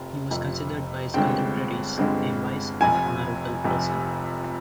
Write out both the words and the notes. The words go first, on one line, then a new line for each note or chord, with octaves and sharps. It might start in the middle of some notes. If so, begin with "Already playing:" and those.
He was considered by his contemporaries a wise and honorable person.
Already playing: F1 F2 C3
F1 F2 C3
G1 G2 D3 G#3 C4 G5
G1 G2 D3 G#3 C4
F1 F2 C3 F3 G#5
F1 F2 C3 F3